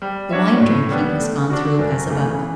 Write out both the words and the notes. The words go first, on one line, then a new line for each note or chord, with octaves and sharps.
The wine-drinking is gone through as above.
G3
D4 F#4 C#5 E5
A2
G3 B3 D4
A3
D4 F#4
F#2
C#3 E3 A3
E3